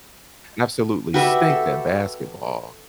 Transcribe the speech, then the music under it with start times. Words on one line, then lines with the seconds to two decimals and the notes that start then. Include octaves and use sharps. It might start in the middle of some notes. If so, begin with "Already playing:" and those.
absolutely stink at basketball.
1.14 F#4 G4 B4 E5
1.50 A4